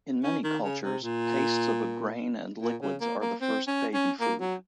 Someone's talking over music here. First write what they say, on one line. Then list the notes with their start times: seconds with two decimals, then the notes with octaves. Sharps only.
In many cultures, pastes of a grain and liquids are the first baby food.
0.24 C#4
0.44 D#3
0.64 C#3
0.84 C3
1.03 A#2
2.62 A#2
2.82 C#3
3.01 A#3
3.21 A#3
3.41 C4
3.67 C#4
3.94 C#4
4.20 A#3
4.41 F#3